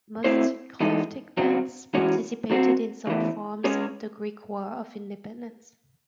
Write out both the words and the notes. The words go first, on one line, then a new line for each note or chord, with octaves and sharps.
Most klephtic bands participated in some form in the Greek War of Independence.
A3 C4 E4 C5
E3 G#3 D#4 A4
C#3 F#3 C4 F#4
E3 G#3 C#4 F#4 C#5
F#3 C4 F#4 C5
C#3 E3 A3
G#3 C#4 G#4 C#5